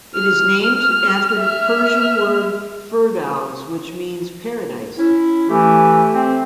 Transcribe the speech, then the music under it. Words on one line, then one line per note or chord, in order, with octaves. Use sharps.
It is named after the Persian word "Firdows", which means "paradise".
F6
E5 F6
C#4 E4
E3 A3 G4
C4